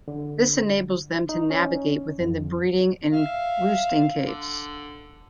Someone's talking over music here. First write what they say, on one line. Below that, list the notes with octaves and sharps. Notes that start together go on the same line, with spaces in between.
This enables them to navigate within the breeding and roosting caves.
D3
D#4
C#4
F2
E5 F5
D3